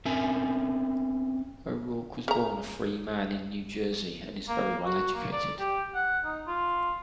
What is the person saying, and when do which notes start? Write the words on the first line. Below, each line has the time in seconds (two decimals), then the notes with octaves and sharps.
O'Rourke was born a free man in New Jersey and is very well educated.
0.05 C4 C#4 A#4 E5 G#5
2.28 C#3 A#5
4.48 A#3
4.85 F#4
5.15 A#3
5.32 D5
5.59 G4
5.95 F#5
6.25 D#4
6.48 F4